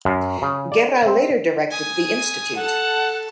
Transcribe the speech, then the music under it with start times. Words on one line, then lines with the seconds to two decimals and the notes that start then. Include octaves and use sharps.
Guerra later directed the Institute.
0.05 F#2
0.42 C#3
0.72 D5
1.06 C4
1.70 G#5 D#6
2.56 A4 F#5 A5